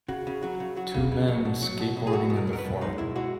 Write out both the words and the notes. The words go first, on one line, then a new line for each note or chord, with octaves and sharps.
Two men skateboarding in the forest.
C#3 F#4
C#3
F#3 F#4
C#3
F#3 F#4
C#3
C#3
F#3
B2
F#3
B2
B2
G#4
F#3 F#4
B2
A#4
F#3
A#4
B4
B2
G#3 D#4
B2 E4
G#3 F#4